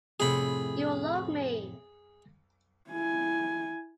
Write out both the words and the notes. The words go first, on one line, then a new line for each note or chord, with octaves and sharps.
You love me.
F2 A2 C3 G#4 B5
E4 G#5